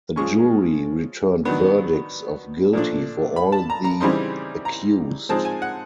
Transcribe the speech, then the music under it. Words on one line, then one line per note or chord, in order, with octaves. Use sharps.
The jury returned verdicts of guilty for all of the accused.
F3 G#3 C#4 C#6
D#3 F#3 B3 D4
A#2 F3 A3 D4
B5
A5
A#5
A#5
C#3 E3 G3 C4 D#4 C6
A#5
F3 G#3 C4 D#4 A5
G#5
F#5